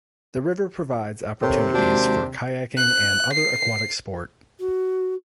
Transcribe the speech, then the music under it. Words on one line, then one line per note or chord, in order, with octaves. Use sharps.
The river provides opportunities for kayaking and other aquatic sport.
D#2 C3 A4 A#4 C#5
G#3 D4 F#4 C5
F#6
C7
F#4